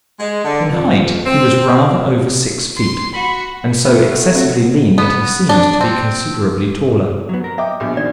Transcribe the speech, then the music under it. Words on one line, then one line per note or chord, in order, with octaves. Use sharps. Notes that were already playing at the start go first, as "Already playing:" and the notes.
In height he was rather over six feet, and so excessively lean that he seemed to be considerably taller.
G#3
D3
F2
C4
C6
F#4 B5
A3 B3
C4 F#4
B3
D4
C4
F#3 B3
A#4
D#5 E5 G5 D6
A#1 B2
D#3 D5